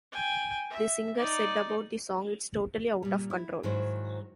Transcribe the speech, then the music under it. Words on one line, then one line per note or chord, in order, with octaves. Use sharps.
The singer said about the song: It's totally out of control.
G5 G#5
E5
D#4 D5
A#2 G3
E4
G#2 D#3 F#3 E4 F#4 C5